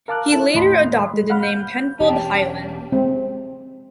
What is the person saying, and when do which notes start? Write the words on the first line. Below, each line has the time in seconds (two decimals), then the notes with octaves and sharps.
He later adopted the name Penfold Hyland.
0.08 A#4 F5 A5 D6 F6 F#6
0.32 E4 A4 A5
0.54 D#2 A2 D#5 B5 C6
1.14 G#3
1.30 F5 F#5 B5 F6
1.43 G6
2.00 E1 C#4 D4 G4 G5 A5
2.92 G#3 C4